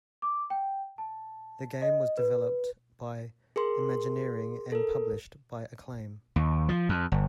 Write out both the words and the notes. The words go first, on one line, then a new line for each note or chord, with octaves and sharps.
The game was developed by Imagineering and published by Acclaim.
D6
G5
A5
D#5
B4
G#4 A#4 C6
A4 A#4
D#2
F3
F2
G1